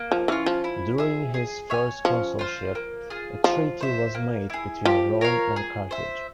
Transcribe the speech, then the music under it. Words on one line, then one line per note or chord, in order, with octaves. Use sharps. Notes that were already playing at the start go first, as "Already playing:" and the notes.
During his first consulship, a treaty was made between Rome and Carthage.
Already playing: A#3
F3
E3 C#4 F4
F3
E4
G#4 E5
G#4
C#5 E5 G#5
F3 C#4
F4 C5 F5
A#3
F4 G#4
F3 F4
C5 E5
A#3
E4 G#4
F3 G4
A#4 C#5 F5
G#4
C5 E5